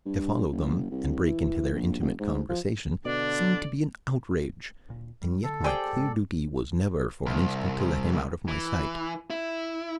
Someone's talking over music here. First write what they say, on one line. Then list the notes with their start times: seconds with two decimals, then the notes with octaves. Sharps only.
To follow them and break into their intimate conversation seemed to be an outrage, and yet my clear duty was never for an instant to let him out of my sight.
0.06 G2
0.52 F#1
0.91 C2
1.23 E3
1.73 A#1
2.00 F1
2.20 G#2
2.49 F3
3.05 B2 D3 D4 D5
4.88 D1 A#2
5.22 G3
5.43 D3 A4
5.64 G4 G#4 C5 D5 G5
5.93 G#2 G#3
7.26 C2
8.48 E3
9.30 E4